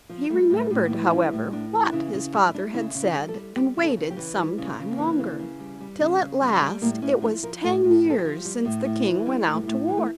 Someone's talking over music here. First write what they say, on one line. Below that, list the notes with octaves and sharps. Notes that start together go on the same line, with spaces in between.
He remembered, however, what his father had said, and waited some time longer, till at last it was ten years since the king went out to war.
F3
G3 A3
A2
A3
A2
A#3
E3
G3 C#4
A2
A2 D4
E3
D4
C#3 E4
C#3 F4
G3 E4
E4
G3 D4
C#3 E4
C#3
E4
G3
A4
G3
G3 G4
C#3
A4
C#3
G4
E3
G3
C#3
C#4
C#3
A#3
E3
C#3
C#3
G3
G3
C#3
C#3
G3
G3
A2 A#3
A2 C#4
F3 D4
F3 A#4
A2 A4
A2
A4
F3
A4
G4
F3
G3
A2
A2
E3
G3 C#4
A2
A3
G3
A2 A3
E3 G3
A3